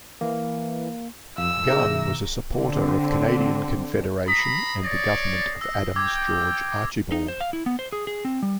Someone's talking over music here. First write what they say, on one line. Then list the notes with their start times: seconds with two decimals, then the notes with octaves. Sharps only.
Gunn was a supporter of Canadian Confederation and the Government of Adams George Archibald.
0.21 E3 A#3
1.38 F2 F5 E6
1.68 B2 D#3 G#4 E5 A#5 A#6
2.54 D3 C4
4.28 A#5 B5 D#6 C7
4.84 C#5 D5 A#6
5.61 E6 A#6
5.96 G5 D6 E6 G#6
7.12 D#4
7.28 C5
7.41 F5
7.53 E4
7.66 B3
7.79 C5
7.92 G#4
8.07 G#4
8.25 C4
8.42 G3